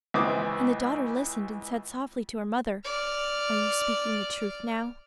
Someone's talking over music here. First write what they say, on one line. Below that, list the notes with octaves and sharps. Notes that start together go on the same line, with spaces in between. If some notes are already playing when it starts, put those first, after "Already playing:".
And the daughter listened, and said softly to her mother: 'Are you speaking the truth now?'
C#2 E3 C4 D6 D#6
D5 F6